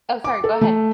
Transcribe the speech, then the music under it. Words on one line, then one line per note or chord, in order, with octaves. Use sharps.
Oh, sorry, go ahead.
D6
A4
A3